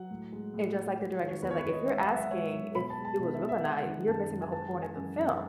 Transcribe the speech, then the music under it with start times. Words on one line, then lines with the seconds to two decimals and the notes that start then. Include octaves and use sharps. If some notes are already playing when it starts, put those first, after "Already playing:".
and just like the director said, like, if you're asking if it was real or not, you're missing the whole point of the film.
Already playing: F#3 F#5
0.11 A2
0.32 G#3
0.54 A2
0.77 G#3
0.98 G#3
1.20 D#3
1.28 C#5
1.42 E2 B4
1.51 C#5
1.58 B4
1.65 E2
1.72 D#5
1.87 G#2 E5
2.01 F#5
2.09 F#3
2.16 E5
2.31 G#2 C#5
2.53 F#3
2.75 B2 B5
2.90 A5
2.97 G#3
3.05 A5
3.19 B2
3.34 E5
3.41 G#3
3.49 E5
3.63 G#3 F#5
3.86 D#3
4.08 F#2 A5
4.30 F#2
4.42 G#5
4.52 G#3 A5
4.74 E3
4.82 G#5
4.97 F#2
5.18 F#2